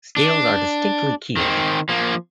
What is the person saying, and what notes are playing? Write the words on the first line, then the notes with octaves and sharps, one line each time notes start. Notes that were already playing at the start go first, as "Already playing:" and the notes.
Scales are distinctly keeled.
D4
D#3 C4
F3 A#3